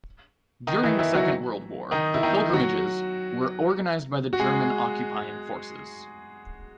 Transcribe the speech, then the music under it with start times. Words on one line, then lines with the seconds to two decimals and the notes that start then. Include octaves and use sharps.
During the Second World War the pilgrimages were organised by the German occupying forces.
0.67 D#3 D#4
0.83 E3 E4
0.99 E3 E4
1.14 F#3 F#4
1.91 D#3 D#4
2.14 E4
2.23 D#3 D#4
2.49 E4
2.53 F#3 F#4
4.33 F#4
4.39 G#3 G#4